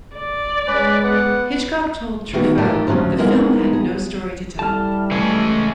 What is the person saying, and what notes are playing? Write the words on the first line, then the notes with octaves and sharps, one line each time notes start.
Hitchcock told Truffaut "The film had no story to tell".
D5
G#3 C#4 B4
B3 F#5
D#3 A3 B3 F#4
A3 D#4 F4 G4 A4 A#4
D2 F3 F#3 C#4
F3 G#3 B3 D#4 E4 A#4
G#4
G3 E4 A4 A5 F6
E3 G#3 A3 C#4